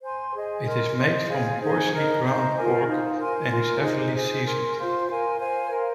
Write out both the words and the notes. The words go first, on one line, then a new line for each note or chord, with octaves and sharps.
It is made from coarsely ground pork and is heavily seasoned.
C5 G#5 C6
G#4 D#5 G#5
A#4 D#5 C6
C5 D#5 C6
G#4 F5 G#5
D#4 G#4 C5 G#5
D#4 A#4 D#5 A#5
C5 D#5 A#5
F4 A#4 G#5
D#4 C5 F5
A#4 G#5 C6
F4 A#4 G#5 C6
D#4 G#4 C5 D#5
G#4 C5 G#5
A#4 G#5 C6
F4 C5 F5 C6
A#4 F5 G#5 C6
C5 F5 G#5
A#4 F5 C6